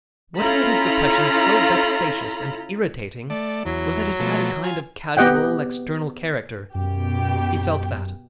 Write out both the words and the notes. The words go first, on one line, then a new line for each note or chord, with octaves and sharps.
What made his depression so vexatious and irritating was that it had a kind of casual, external character--he felt that.
C#4 E4 F4 A4 A#5 B5
A3 D5
E2 F#3
B2 F3 A3
F4 G#5
B3 G4 D#5 F#5 G5
F#2 B2 G4